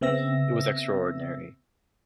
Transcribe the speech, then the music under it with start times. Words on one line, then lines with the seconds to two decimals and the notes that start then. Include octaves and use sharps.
It was extraordinary.
0.01 C#3 B3 C4 E5 E6 A#6